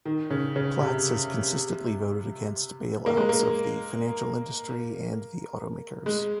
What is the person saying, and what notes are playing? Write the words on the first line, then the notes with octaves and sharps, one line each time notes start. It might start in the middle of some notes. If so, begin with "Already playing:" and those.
Platts has consistently voted against bail-outs of the financial industry and the automakers.
D#3
C#3
C#3
C3
A#3
G#3
A#3
G#3